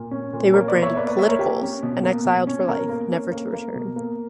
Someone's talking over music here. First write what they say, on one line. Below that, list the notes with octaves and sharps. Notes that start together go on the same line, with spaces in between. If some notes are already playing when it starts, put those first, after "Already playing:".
They were branded "politicals" and exiled for life, never to return.
Already playing: A#2
C#4
A#2
A#3 A#4 C#5
B4 D5
B2
C#5 E5
A#3 B4 D5
B4 D5
A#3 C#5 E5
A#4 C#5
A#3 G4
C#4
B2
A#3
B2
C#4
B2 A#4
A#3
C#4
A#3
A#3
B2
A#3